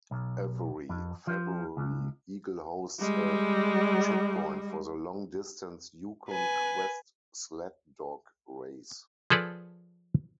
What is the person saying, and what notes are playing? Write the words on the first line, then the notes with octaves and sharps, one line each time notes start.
Every February, Eagle hosts a checkpoint for the long-distance Yukon Quest sled dog race.
B1
F2
F3
C#2
G3 G#3
B4 G#5
F3 G#4 A4 B4 D5